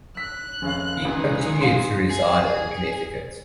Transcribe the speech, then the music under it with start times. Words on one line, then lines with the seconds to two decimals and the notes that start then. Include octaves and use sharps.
He continued to reside in Connecticut.
0.17 E6 F#6 B6
0.62 F1 C#4 G#4 F5
1.05 C#2 E3 D#4 G#4 B4
1.61 F5 C6
2.10 G#4